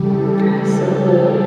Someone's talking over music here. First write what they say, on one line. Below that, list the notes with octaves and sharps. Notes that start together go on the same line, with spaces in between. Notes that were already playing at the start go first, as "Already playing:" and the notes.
That is so cool.
Already playing: C#3 E3 G3 G4 A4
A4
G#4